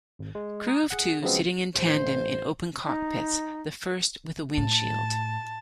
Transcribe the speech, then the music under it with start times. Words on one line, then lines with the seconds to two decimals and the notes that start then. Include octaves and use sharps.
Crew of two, sitting in tandem in open cockpits, the first with a windshield.
0.19 G#1
0.35 G#3
0.68 A#5 D#6 G#6
0.90 G#4 F#5
1.22 C#3 F3 F#3 G#3 B3 C4
1.75 A1 C5
2.86 D#4
4.57 A2 A5